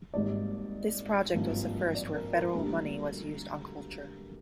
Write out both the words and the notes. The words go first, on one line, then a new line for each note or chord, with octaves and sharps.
This project was the first where Federal money was used on culture.
G#1 G#2 G3 A#3 D5
G#1 G2 F3 A#3
D5
A#4
A#4
D2 D3 G3 A#3